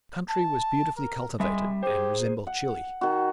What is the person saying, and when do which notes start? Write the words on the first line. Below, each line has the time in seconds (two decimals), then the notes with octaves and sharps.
The country was beautifully cultivated, and resembled Chile.
0.29 A5
0.98 A#4
1.40 G3 G#3 E5
1.83 G4 G#4 C5
2.47 F#5
3.01 D#3 F#4